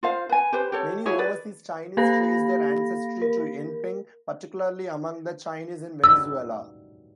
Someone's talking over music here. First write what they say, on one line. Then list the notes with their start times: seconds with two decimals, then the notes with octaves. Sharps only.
Many overseas Chinese trace their ancestry to Enping, particularly among the Chinese in Venezuela.
0.03 F4 C5 F5
0.29 B4 G#5
0.53 G4 B4 C5
0.72 G4 A4 C#5
1.05 E4 F#4 G#4 C#5
1.18 B4 D5
1.97 A#3 G4 A4 F5 B5 A#6
3.22 A#4
6.04 E6